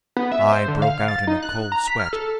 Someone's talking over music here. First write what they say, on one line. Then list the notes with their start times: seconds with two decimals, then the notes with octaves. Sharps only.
I broke out in a cold sweat.
0.17 B3
0.32 E5
0.52 C5
0.68 D3
0.82 F5
1.08 A6
1.27 D#4
1.43 F#6
1.72 A#5
1.87 B6
2.00 F6
2.13 A4